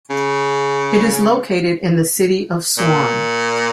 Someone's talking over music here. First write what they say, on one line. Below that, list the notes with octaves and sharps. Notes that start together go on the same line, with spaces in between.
It is located in the City of Swan.
C#3
A#2